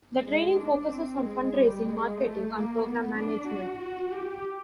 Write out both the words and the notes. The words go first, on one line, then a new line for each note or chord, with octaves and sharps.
The training focuses on fundraising, marketing, and program management.
G#3
D4
C4
G#3
G3
G#3
A3
A#3
B3
D4
F#4
F#4
G4